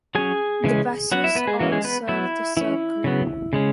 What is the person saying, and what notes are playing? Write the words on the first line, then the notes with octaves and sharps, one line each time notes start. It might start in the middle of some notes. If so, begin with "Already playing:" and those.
The buses all serve the circle.
F#3 C#4 G#4 G#5
C#3 E3 G#3 C#4
F#3 B3 F#4 F#5
E4 E5
B3 B4
G#3 G#4
E3 G#3 C#4 F#4
G#3 G#4
B3 B4
F#3 B3 E4 E5
E3 C#4 E4
C#3 F#3 B3
C#3 G#3 C#4